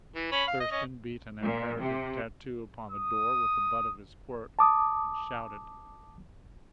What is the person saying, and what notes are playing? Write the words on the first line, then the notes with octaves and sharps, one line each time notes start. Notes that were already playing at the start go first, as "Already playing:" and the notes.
Thurston beat an imperative tattoo upon the door with the butt of his quirt, and shouted.
E3
C#4 B5
F5
D#5
C#4 D#5
A#2
C3
D#6
A5 D6 D#6